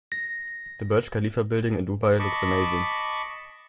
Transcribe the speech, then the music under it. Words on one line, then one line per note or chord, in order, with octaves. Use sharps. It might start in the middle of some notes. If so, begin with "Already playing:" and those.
The Burj Khalifa building in Dubai looks amazing.
A#6
D#5 A5 B5 C#6 D6